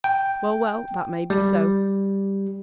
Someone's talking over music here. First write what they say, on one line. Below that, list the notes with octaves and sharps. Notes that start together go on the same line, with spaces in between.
Well, well, that may be so.
G5
G3